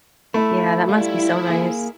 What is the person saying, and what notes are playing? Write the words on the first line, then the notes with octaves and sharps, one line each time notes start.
Yeah, that must be so nice.
A3 E4
G3 E4 F4
A#3 G#4